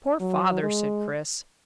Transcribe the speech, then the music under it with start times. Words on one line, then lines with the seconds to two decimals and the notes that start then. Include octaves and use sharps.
"Poor father!" said Chris.
0.20 F#3
0.62 G#3